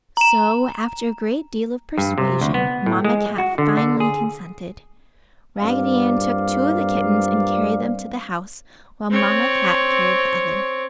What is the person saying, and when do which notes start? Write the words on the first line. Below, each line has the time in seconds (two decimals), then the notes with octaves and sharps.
So after a great deal of persuasion, Mamma Cat finally consented. Raggedy Ann took two of the kittens and carried them to the house while Mamma Cat carried the other.
0.17 A#5 E7
1.98 G2
2.18 C3
2.41 D2
2.54 B3
2.86 A2
3.04 G#3
3.38 F#4
3.58 D3
3.77 D3
4.00 G#4
5.59 G2 A#2 C4 D5 F5
9.11 C4 C#5